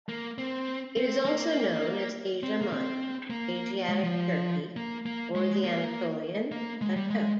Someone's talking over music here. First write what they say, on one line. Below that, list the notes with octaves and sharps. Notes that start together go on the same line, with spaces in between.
It is also known as Asia Minor, Asiatic Turkey or the Anatolian Plateau.
A#3
C4
C4
A#3
C4
A#3
C4
A#3
G#3
F3
A#3
A#3
G#3
A#3
A#3
G#3
G3
G#3